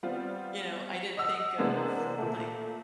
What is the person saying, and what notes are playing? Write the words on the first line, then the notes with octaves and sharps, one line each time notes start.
you know, I didn't think of, like,
G3 B3 C4 F4
D#5 F#5 E6
C3 E3 G#3 A#3 B3 D4
A#2 A3